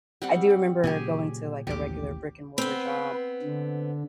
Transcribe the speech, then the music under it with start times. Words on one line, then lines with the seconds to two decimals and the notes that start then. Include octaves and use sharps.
I do remember going to, like, a regular brick and mortar job,
0.22 G3 C4 F#5
0.84 A#2 C#3 F#3 G4 G#4 G#5
1.67 A1 D#2 B2 G4 D6
2.58 B3 C4 B4
3.42 D3